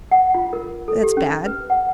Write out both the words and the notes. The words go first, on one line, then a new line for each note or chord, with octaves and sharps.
That's bad!
F#5
F4
A#4
A4
G4
C#4
B4
F#5